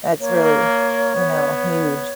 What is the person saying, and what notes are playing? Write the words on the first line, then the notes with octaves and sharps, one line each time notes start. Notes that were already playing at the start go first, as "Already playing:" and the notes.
That's really, you know, huge.
A#3 C#5
B3